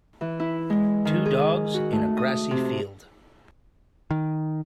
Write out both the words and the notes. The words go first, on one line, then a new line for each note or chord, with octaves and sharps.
Two dogs in a grassy field.
E3
E4
G#3
D#3
G#4
F#4
A3
D#6
C3
D#3